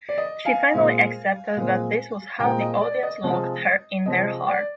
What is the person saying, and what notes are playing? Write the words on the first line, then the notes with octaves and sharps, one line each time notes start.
She finally accepted that this was how the audience locked her in their heart.
D5
D#5
F5 G#5
A#2 G#3 C4
A#2 G#3 C4
A#2 G#3 C4 G5 A#5
D#5
D5
D#5
C3 F3 G#3 C4
C3 F3 G#3 C4 D#5
D#5
D5